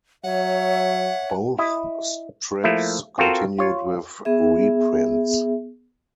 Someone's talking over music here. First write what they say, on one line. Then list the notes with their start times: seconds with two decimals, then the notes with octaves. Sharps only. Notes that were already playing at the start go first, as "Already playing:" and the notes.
Both strips continued with reprints.
0.24 F#3 C#5 E5 F#5
1.58 E4 D#5
2.64 F3 A3 A#3 E4
3.18 C4 F4 F#4 A4 A#4 C5
3.58 F4 C#5
4.25 B3 G#4 E5